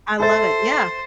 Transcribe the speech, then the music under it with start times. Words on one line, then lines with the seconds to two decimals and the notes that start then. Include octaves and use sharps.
I love it, yeah,
0.20 A4 C5 E5 A6